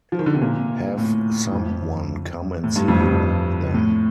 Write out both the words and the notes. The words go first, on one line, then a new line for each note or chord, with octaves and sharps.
Have some one come and see you, then.
F3
D#3
D3
C3
A#2
A2
F2
A2
G2
F2
G2
A2